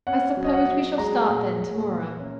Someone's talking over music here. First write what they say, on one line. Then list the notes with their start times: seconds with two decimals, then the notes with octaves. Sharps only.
"I suppose we shall start, then, to-morrow."
0.07 C#4 F#5
0.37 F#3
0.44 D#5
0.53 F#5
0.69 F#3
0.98 G#3 A#5
1.29 A#2
1.59 A#2
1.90 A#3
2.20 C#4